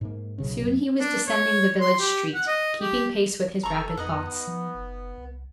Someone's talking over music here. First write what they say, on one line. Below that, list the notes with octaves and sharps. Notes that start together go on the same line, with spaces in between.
Soon he was descending the village street, keeping pace with his rapid thoughts.
G#2 A#3
B1 C#3 C#4
F#2
D4
C#5
C6
G4
F#5
D#5
G4
F#1 A4 A#5 C#6
F2 B3 D#4 D#5 F#5
F3
F#1
C2